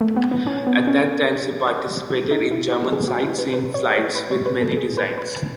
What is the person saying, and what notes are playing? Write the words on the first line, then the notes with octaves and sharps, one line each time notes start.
At that time, she participated in German sightseeing flights with many designs.
A3
B3
B3
C#4
B3
C#4
D#4
E4
F#4
G#4
F#4
E4
B4
B4
C#5
D#5
C#5
B4
C#5
B4
A4
G#4
B4
B4